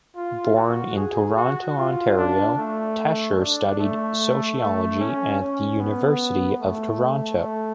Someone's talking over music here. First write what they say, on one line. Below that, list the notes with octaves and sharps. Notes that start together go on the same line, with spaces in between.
Born in Toronto, Ontario, Tesher studied sociology at the University of Toronto.
F4
F#4
G#4
F#4
F4
D4
A3
D4
A3
A3
C#4
C#4
B3
A3
A3